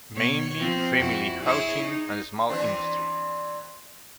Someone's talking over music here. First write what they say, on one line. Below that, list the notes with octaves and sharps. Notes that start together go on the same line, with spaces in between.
Mainly family housing and small industry.
B2 C#5
F3 C4
F2 E4 F#4
E4 G#4 C#5
D#4
E3 C4 D4